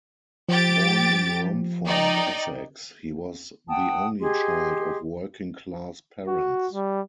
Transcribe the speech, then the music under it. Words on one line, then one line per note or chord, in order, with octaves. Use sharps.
Born in Romford, Essex, he was the only child of working-class parents.
F3 G4 A6 D7
D#4 D5 G5
F#5 G5 A5 D#6
G4 G#4 D#5 C6
F#4
G3